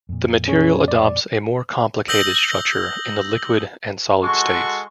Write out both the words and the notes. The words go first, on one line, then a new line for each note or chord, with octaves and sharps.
The material adopts a more complicated structure in the liquid and solid states.
F2 A#2
C#4 G#4 C#5
D5
D#6 E6 G6 A#6 F#7 G7
G#3 F#4 A4 C6 C#6